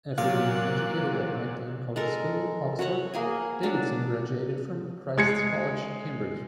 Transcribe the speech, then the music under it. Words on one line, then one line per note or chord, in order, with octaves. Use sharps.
After being educated at Magdalen College School, Oxford, Davidson graduated from Christ's College, Cambridge.
A#2 F#3 A#3 F5 F#6
G#3 A4 A#4
F#4 B4 C#5 F#5
A#3 G#4 G#5
F#3 D4
G#3 G#6 C#7